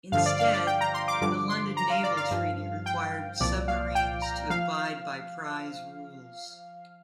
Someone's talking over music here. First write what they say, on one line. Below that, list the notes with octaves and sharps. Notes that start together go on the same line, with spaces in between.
Instead, the London Naval Treaty required submarines to abide by prize rules.
G2 D3 F3 F5
D5
F5
D5
G5
A#5
C6
D6
G2 D3 F3 D6
C6
A#5
F5
D5
F5
G2 F3
G5
C2 A#2 F3 D5
F5
G5
A#5
F3 F5